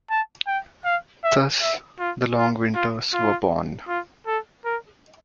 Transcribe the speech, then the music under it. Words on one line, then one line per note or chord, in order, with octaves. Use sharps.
Thus, The Long Winters were born.
A5
G5
F5
E5
E5
F4
F4
F4
F4
F4
A4
A#4